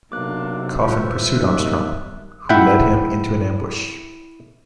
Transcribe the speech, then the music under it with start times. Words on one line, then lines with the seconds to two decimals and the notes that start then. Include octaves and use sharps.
Coffin pursued Armstrong, who led him into an ambush.
0.12 B1 C3 A#3 D4 D6 F#6
0.81 G3 F4 B4 C5 E5
1.35 D#2 F#6
2.49 E4 E5 F#5 G5